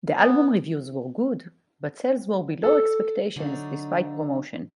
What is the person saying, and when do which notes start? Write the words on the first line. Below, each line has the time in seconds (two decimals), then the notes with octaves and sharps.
The album reviews were good, but sales were below expectations despite promotion.
0.18 B3
2.63 A4
3.36 D3 F#3 A3 C4 D4 D#4